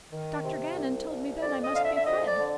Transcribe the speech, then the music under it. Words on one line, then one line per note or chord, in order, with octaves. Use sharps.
Dr. Gannon told me then I must be fed.
D#3
C3
C2
C2
F2 D5
D#5
D3 F5
E5
E5
F2 D#5
D5
D3